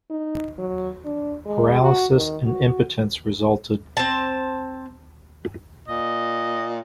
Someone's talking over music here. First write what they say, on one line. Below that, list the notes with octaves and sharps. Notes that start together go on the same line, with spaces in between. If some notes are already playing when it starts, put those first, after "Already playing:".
Paralysis and impotence resulted.
D#4
F#3
D4
G#3
F#4
D#3
F#4
C4 A5
A#2 D#5